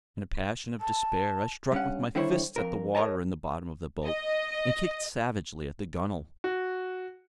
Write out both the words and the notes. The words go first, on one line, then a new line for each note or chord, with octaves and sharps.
In a passion of despair I struck with my fists at the water in the bottom of the boat, and kicked savagely at the gunwale.
A5
G2 C#4 F#5
D3 D#3 G3 E4 C5 C#5
F2 A#2 A#4
A#4 B4 C#5 D#5 A5
D#5
F#4